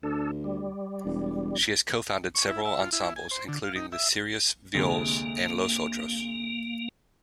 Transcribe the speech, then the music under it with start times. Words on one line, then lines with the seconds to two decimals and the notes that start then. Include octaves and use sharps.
She has co-founded several ensembles, including the Sirius Viols and Los Otros.
0.03 D2 D4 A4
0.44 G3
1.05 E1
2.35 C#6
2.48 E4
2.65 E5
2.80 F4
2.93 E4
3.16 G#5
3.31 C5
3.48 D3
3.64 F5
3.76 D#4
3.92 E5
4.75 D2 C3 G#3 A#3